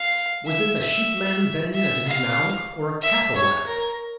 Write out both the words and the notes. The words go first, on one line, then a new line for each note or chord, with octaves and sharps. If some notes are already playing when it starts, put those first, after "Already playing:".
Was this a sheep land then as it is now, or a cattle land?
Already playing: F5
E5
E5
E5
F5
E5
C#5
A#4